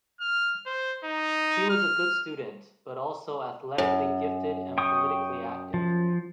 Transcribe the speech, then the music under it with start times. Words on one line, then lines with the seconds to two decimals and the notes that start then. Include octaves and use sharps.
He was a good student, but also athletically gifted and politically active.
0.20 F6
0.66 C5
1.04 D#4
1.70 F6
3.78 F#2
4.78 G5 C#6 D#6
5.74 F3